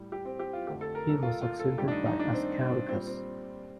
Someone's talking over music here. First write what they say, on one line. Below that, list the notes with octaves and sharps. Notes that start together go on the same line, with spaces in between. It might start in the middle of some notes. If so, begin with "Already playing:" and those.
He was succeeded by Askericus.
Already playing: A2 G3
G4
C4
G4
F4
F2 D3 A3 G4
A4
A#4
A4
F4
F4
A4
G2 D#3 A3 G4
D4
D#4
D#4
D4
C4
C4
A#2 G3 C4
C4